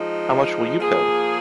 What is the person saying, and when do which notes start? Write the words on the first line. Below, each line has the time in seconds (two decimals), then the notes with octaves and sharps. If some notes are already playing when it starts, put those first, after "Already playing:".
How much will you pay?
Already playing: F3 G#3 D#4
0.79 F3 A#3 G#4